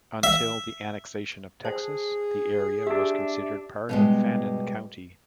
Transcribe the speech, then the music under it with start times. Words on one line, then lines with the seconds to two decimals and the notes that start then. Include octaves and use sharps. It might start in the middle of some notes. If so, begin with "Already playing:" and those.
Until the annexation of Texas, the area was considered part of Fannin County.
0.23 E5
1.65 G#4 C5 A5
2.87 D4 G4 E5
3.89 B2 G3 G#3